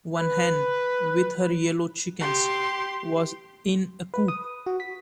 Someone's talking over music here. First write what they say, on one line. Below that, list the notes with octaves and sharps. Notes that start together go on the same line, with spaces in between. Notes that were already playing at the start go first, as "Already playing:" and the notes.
One hen, with her yellow chickens, was in a coop.
B4
G4 C6
B4
D#6
F#4
B6